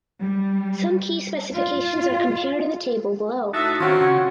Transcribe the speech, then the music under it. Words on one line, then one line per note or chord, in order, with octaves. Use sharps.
Some key specifications are compared in the table below.
G3
F4
A2 D#4 F#4 E5 A5
D#3 F#3 C4 C#4 F4 F#4
C#3 C#4